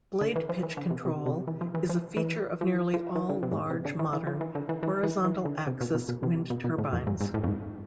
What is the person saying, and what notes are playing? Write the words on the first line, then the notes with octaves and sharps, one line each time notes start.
Blade pitch control is a feature of nearly all large modern horizontal-axis wind turbines.
D3
E3
F3
E3
D3
C3
C3
C3
E3
F3
E3
F3
E3
F3
E3
F3
E3
D3
C3
G#2
A2
C3
D3
E3
E3
F3
E3
D3
E3
E3
E3
E3
D3
C3
B2
B2
B2
C3
B2
B2
A2
F2
G#2
G#2
A2
F2
G#2